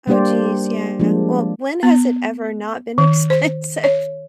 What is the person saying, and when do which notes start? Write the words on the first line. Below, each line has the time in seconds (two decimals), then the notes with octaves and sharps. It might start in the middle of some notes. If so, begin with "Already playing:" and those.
Oh, jeez, yeah. Well, when has it ever not been expensive?
0.07 G3 A#3 D4 G4 C5 D5
1.00 F3 G#3 A#3 D4
1.83 B3
2.98 D#3
3.30 C5
3.84 C#5